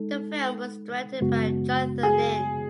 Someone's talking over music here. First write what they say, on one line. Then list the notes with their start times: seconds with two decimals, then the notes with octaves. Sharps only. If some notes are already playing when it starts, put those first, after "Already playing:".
The film was directed by Jonathan Lynn.
Already playing: G#3 D#4 A4
1.21 F#2 C#3 G#3 B3 F#4
2.03 G#4